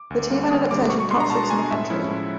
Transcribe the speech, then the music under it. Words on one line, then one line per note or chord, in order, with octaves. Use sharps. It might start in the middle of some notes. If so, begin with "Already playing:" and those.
The team ended up finishing top six in the country.
Already playing: D6
D2
D3 G3 A#3
D2 D#6
D3 G3 A#3 D6
B2 C#6
C#6
G#3 B3 D4 C6
A#5
B2 A5
G#3 B3 D4 G#5
A2 E5
F3 G#3 C#4 E4
A2